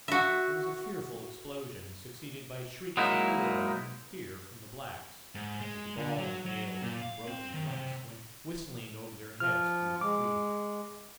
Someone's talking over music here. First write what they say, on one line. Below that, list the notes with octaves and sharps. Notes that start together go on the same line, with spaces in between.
There was a fearful explosion, succeeded by shrieks of horror and fear from the blacks, as the ball and nails and broken glass went whistling over their heads through the trees.
F#4 E5
F#3 G#3 A#3 D#4 E4
G#2
G#3
D3
F#3
F#3
A#2
F5
C4
D#3
C3
F3 F4 F6
G#3 D6